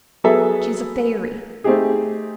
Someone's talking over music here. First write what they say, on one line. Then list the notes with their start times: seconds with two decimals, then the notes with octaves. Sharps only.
She's a fairy.
0.24 F#3 B3 G#4 A4 E5
1.64 A3 C4 D#4 G4 G#4